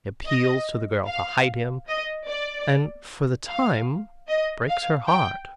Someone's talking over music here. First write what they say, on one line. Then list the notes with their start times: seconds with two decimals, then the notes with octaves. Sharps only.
He appeals to the girl to hide him, and for the time breaks her heart.
0.26 D#5
1.07 F5
1.88 D#5
2.27 D5
3.48 F5
4.28 D#5
4.68 F5
5.08 G5